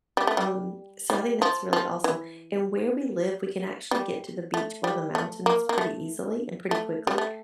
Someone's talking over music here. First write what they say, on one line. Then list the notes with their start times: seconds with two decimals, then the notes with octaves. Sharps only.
Um, so I think that's really awesome, and where we live, we can actually get to the beach or the mountains pretty easily, and pretty quickly,
0.17 G3
0.27 A3
0.37 G3
1.10 G3
1.42 F3
1.73 F3
2.04 E3
3.91 G3
4.54 A3
4.84 G3
5.15 A3
5.46 A#3
5.69 A#3
5.78 A3
6.71 A3
7.07 G3
7.18 A3